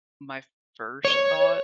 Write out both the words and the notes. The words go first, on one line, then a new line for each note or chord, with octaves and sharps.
my first thought
C#5